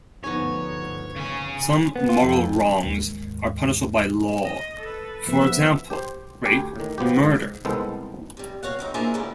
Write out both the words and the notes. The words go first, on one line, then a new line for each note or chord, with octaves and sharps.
Some moral wrongs are punishable by law, for example, rape or murder.
D2 G2 F3 B3 D#4 C#5 G#5
C#3 G#5
B3
F4
F2
D#2 G#2
D#5
A4 B4
F3 B3 B4 E5
G4 C5
D2 G4 G#5
A2 D#3
F3 B3 C4 G4
G#2
C2 D#3 G#3 B3 A4 C5
C3 G3
F#4 C#5 F5 F#5
F2 C4 D#4
A#3 D4 E4 F4 G#4 C5
A2 D3 G3